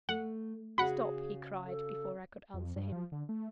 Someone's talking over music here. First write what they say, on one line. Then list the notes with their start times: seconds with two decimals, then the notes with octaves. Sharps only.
"Stop!" he cried, before I could answer him.
0.09 A3 F#5
0.78 C#3 F#4 G#4 F#5 B5
1.66 A4
2.54 F2
2.76 G2
2.92 F3
3.12 D3
3.29 A3